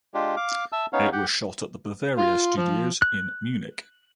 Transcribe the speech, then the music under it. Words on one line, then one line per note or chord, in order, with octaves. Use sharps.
It was shot at the Bavaria Studios in Munich.
G#3 D4 F4 G4
F5 D6
E5 A5 E6
B3 C#4 D#4 C#5 F5
G4 F#5 G5
F4
F3
F#6